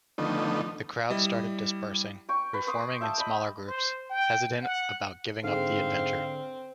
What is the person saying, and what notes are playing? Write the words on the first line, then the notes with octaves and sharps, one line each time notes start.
The crowd started dispersing, re-forming in smaller groups, hesitant about giving up the adventure.
D3 D#3 F3 A3 B3 D#4
G3 E4 D#5
G5 C#6
B4
C6 D6 D#6
E5 G5 A5
D#5 B5
C5
G5
F#5
G#2 D3 C4 F5